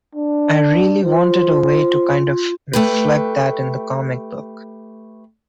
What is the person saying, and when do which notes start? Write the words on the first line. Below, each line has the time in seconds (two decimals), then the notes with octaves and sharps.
I really wanted a way to kind of reflect that in the comic book.
0.15 D4
1.04 F4 C5
2.73 A3 G4 B4